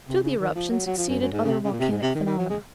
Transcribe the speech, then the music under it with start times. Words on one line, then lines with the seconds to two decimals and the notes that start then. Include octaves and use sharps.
To the eruption succeeded other volcanic phenomena.
0.08 C3
0.23 C#3
0.40 D#3
0.56 F3
0.71 F#3
0.86 F#3
0.97 F3
1.09 F#2
1.21 F#2
1.33 G#2
1.44 C#3
1.48 C3
1.64 C#3
1.72 A#2
1.80 C3
1.91 G#2
2.02 C3
2.15 D#3
2.26 D#3
2.38 F#3
2.50 G#3